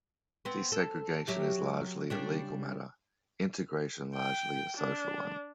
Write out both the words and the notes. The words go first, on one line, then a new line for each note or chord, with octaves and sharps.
Desegregation is largely a legal matter, integration largely a social one.
B3 C4
A4
F#3 G4 E5
C#3 G3 D4
G5
D4